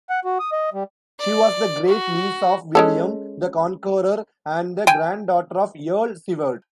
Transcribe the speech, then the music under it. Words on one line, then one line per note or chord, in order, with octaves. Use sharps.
She was the great-niece of William the Conqueror and the granddaughter of Earl Siward.
F#5
F#4
D#6
D#5
G3
D5
F#4
G#3 C#4 A4
G5 G#5